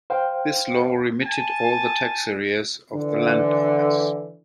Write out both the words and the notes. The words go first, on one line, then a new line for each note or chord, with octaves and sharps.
This law remitted all the tax arrears of the landowners.
C5 F5 G5
G#5 A5
D3 E3